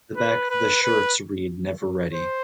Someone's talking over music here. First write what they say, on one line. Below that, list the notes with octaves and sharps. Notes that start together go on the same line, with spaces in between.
The back of the shirts read "Neveready".
B4
B4
B4
C5